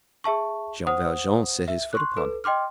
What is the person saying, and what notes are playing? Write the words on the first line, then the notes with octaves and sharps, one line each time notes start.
Jean Valjean set his foot upon it.
G#4 E5 A5 C#6
C5 F#5 D#6
E5
C6 C#6 F#6
A4 B4
D#5 G5 C6 D6 F6